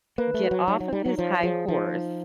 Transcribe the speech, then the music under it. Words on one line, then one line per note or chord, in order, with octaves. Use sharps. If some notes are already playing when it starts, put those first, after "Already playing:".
get off of his high horse
A#3 B4
A3
F#4
F#3
F#3 D#4
F#3
G3 D#4
F#3
F3 C#5
F3 G#4
F3 D#4
D#4